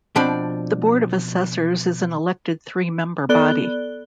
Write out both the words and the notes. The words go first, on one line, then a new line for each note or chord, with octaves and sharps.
The Board of Assessors is an elected three member body.
B2 F3 C4 D4 D5 B5
B3 A4 D5 F#6 G7